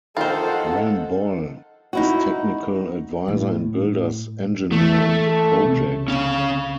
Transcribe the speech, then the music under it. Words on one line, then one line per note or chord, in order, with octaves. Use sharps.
Ramboll is technical advisor and builder's engineer on the project.
D#3 F4 A4 A#4 C5 D#5 F#5
D#4 E4 F#4
A2
E3 A3
C3
C#2 C#3
C#4 F5